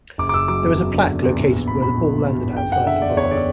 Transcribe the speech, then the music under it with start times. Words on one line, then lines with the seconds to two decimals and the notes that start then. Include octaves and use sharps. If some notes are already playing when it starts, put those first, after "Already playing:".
There is a plaque located where the ball landed outside the park.
0.18 F#1 D6
0.29 D6
0.33 F#1 E6
0.48 F#3 D6
0.63 E2
0.78 F#3
0.93 D3
1.08 F#1
1.22 E2
1.37 A#1
1.52 A#1
1.68 A#1 B5
1.82 A#1 B5
1.98 A#1
2.13 A#1
2.27 A#1
2.42 A#1
2.56 F#1 G5
2.72 F#1 F#5
2.86 D3 E5
3.02 E2 D5
3.17 E2 C#5
3.31 D3 D5